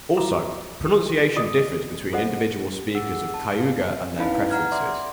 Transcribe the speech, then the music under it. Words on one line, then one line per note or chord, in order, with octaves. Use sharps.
Also, pronunciation differs between individual speakers of Cayuga and their preferences.
E4 F#4 A#5 D6
G4
F4 D5 D#5 D6 D#6
F4 A4 C5 D#5 F#5
G#4 F#5 E6
A5
F5
C#4 D#4 E4 B4 F5 B5
F#5 A#5 F6 G#6
D5 E5 B5 C6 D6